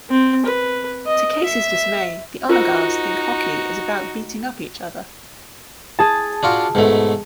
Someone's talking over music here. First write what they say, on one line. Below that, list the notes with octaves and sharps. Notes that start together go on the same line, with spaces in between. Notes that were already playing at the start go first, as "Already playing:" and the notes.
To Casey's dismay, the Honor Guards think hockey is about beating up each other.
C4
B4
D#5
E5
D#4 F4 F#4 A#4 C5
G#4 A5
D4 F4 F#4
G#2 B2 A3